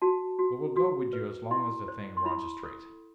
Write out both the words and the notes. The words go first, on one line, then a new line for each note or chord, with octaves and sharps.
We will go with you as long as the thing runs straight.
F#4 A5
F#4
F#4
B4
E4 C6
C5
C6
E4 B5
A4